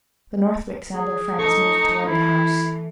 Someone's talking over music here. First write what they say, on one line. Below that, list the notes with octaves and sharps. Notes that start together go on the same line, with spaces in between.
The Northwicks and their friends moved toward the house.
G#4
D#4 A4 C#6
E3 E4